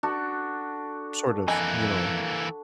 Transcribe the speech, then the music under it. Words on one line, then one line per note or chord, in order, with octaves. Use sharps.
sort of, you know,
D4 F#4 A4
F2 E3 A#3 D#5 G#5